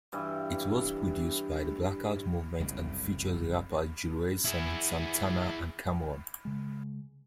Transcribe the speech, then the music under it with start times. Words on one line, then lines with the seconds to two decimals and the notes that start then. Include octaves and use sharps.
It was produced by The Blackout Movement and features rappers Juelz Santana and Cam'ron.
0.13 G2 E3
2.60 F#1 C2 F2 C#3
4.45 E4 G#4
6.45 C#3 G#3